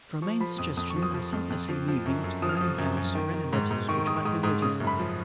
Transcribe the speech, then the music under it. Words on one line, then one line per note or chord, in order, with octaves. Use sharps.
At Romayne's suggestion, I sent the same evening to my own house for any letters which might be waiting for me.
F3 C#6
F3 B5
F2 D#6
F2 D#6
C#6
F3
D#6
F3
F2
F2
F3
F3
F#2
F#2
F3 D#6
F6
F3 D#6
F#2
F#2
D#3
D#3
G#2
G#2
D#3 C#6
D#3 D#6
G#2 D#6
G#2 D#6
C#3 D#6
F#2
B5
F3